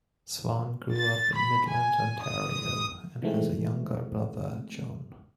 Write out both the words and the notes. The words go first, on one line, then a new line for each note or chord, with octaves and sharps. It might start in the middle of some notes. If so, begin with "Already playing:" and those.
Swan grew up in Midland, Ontario, and has a younger brother John.
A6
B5
G#5
D#6
D#6
C3 D#3 E3 G#3 A3 C4